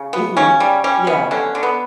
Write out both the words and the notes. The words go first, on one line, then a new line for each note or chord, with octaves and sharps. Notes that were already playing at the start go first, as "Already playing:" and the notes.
Mhm. Yeah.
Already playing: C#3
B3
C#3 C#4
G3
G3 C#4
B3
D3 C#4
D3
B3